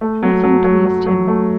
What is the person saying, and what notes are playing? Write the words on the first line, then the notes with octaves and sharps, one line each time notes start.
Nothing pleased him.
A3
F#3
F#3
F#3
F#3
F#3
A3